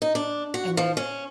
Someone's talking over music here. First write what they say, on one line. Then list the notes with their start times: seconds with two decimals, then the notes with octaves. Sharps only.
I mean,
0.02 D#4
0.15 D4
0.54 F#4
0.77 F3
0.97 C#4